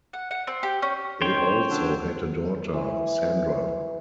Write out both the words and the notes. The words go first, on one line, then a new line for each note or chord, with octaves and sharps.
They also had a daughter, Sandra.
F#5
F#5
C4
G4
C#4
D#3 C#4 C5 C#5 G5
D3
E3